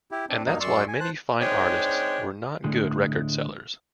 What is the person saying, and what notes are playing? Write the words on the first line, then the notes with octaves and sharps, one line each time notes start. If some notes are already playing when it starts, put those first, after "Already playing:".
And that's why many fine artists were not good record sellers.
E4 G4
C4 D4
G2 F#3 A#3 D#4
F#2 D5 C6 C#6 E6
G#5
C5 A5 F#6
G#3 C4 D4 D#4 C#5
D2 A2 D3 G#3